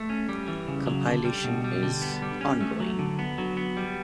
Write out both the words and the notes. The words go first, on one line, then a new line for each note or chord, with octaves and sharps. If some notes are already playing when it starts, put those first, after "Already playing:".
Compilation is ongoing.
Already playing: A3
C#4
G3
E3
C#3
F#3
D3
G3
B2
G3
D3
B3
G3
C#4
A3
F#3
D3
B3
F#3
B3
G3